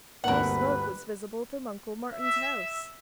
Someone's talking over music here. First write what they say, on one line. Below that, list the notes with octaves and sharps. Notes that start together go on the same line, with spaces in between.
No smoke was visible from Uncle Martin's house!
G1 D2 A#3 C4 A#4 B4 F#5
E5